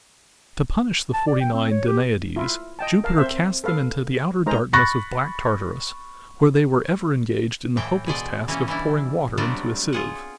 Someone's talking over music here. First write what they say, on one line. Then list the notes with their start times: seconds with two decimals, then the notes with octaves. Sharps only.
To punish the forty-nine Danaides, Jupiter cast them into the outer darkness of Black Tartarus, where they were ever engaged in the hopeless task of pouring water into a sieve.
1.13 A5
1.27 D5
1.40 G5
1.53 C4
1.71 C#5
1.87 G4
2.36 E4 F4
2.79 D#5 G5 A5
3.04 A#4 F5 A5
3.18 C4 C5 E5
3.64 A4 B4 F5
4.46 G#3 D#4 G#4 A#4 C5 A#5
4.73 B5 C#6 F#6 A6 A#6
7.77 A2 E3 G5
8.06 B2 G#4 C5 D5
8.48 E3 A#3 C#4
8.67 B2 E3 G3 D4 E4
9.38 F#3 G3 A3 B3 C4 D4
9.93 F4 G#4 F#5